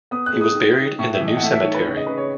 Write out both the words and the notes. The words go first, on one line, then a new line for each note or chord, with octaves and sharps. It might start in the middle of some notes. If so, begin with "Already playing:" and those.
He was buried in the New Cemetery.
B3 D#6
F#6
G#3
D#6
D#3
D#3
A2 C#6
E5
E3
D#5
F#5
A3 E5
E5
D#3 C#5
B4
C#3 C#5
D#5
C#3 B4
C#5